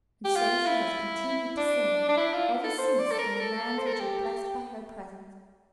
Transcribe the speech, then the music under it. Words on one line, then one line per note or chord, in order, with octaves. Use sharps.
And so she has continued to sing ever since in the lands which are blessed by her presence.
G4
F4
E4
D4
D4
E4
F4
A4
C5
D5
A4
A#4
A#4
A4
C5
A#4
A4
G4